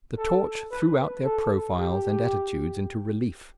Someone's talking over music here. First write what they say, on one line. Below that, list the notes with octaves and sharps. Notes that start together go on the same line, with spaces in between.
The torch threw out their profiles and attitudes into relief.
A4
B4
A4
G4